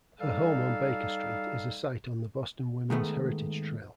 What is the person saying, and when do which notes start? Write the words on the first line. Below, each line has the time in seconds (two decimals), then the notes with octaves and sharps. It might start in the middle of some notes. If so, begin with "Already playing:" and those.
Her home on Baker Street is a site on the Boston Women's Heritage Trail.
0.21 G3 D#4 A4 F5
2.90 G#2 D#3 A3 B3